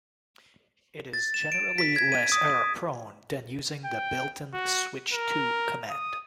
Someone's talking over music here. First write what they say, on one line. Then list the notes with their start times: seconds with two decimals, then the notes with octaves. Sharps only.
It is generally less error-prone than using the built-in "switch to" command.
1.13 A6
1.34 E7
1.52 D7
1.78 B6
1.96 G#6
2.12 D#7
2.32 D#6
2.48 D#6
3.85 G5
4.53 F#4
5.13 A#4
5.90 D#6